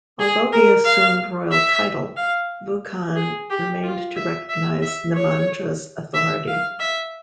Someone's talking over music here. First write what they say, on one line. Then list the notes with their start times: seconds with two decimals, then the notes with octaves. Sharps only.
Although he assumed royal title, Vukan remained to recognize Nemanja's authority.
0.20 G#4
0.52 A#4
0.85 F5
1.52 E5
2.17 F5
3.16 G#4
3.50 G4
3.83 F4
4.16 E5
4.49 E5
4.82 E5
5.14 C#5
6.14 E5
6.48 F5
6.79 E5